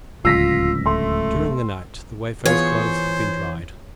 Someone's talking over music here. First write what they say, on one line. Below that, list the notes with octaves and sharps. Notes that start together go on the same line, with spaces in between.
During the night the wayfarer's clothes had been dried.
D1 C#2 F4 E6 A#6 B6
A3 C6
E3 B3 F4 G#4 C5 C#5